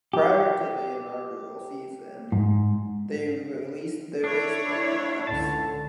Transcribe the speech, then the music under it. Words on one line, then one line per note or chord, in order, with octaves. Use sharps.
Prior to their inaugural season, they released their baseball caps.
G4
G#2
D4 E4 C#5
C#2 D3 A5